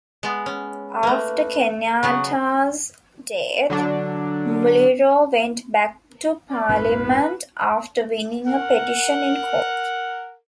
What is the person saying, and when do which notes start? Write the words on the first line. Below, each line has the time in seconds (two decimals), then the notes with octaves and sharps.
After Kenyatta's death, Muliro went back to Parliament after winning a petition in court.
0.23 G#3 B3
0.46 C#4
1.03 A3 A#3 B4
2.03 C#3 F#3 B3 C#6
3.70 D3 F#3 D4
6.51 D5
6.69 A#1 F2 G#2 B4
8.46 A#4 F#5